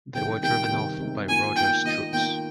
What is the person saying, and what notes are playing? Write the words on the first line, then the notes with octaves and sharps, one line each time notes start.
They were driven off by Rogers' troops.
C3 D#3 G3 G5
C3 D#3 G3 G5
C3 D#3 G3
C3 D#3 G3
D#3 A#3 F4 G#5
D#3 A#3 F4 G5
D#3 A#3 F4 D#5
D#3 A#3 F4 G5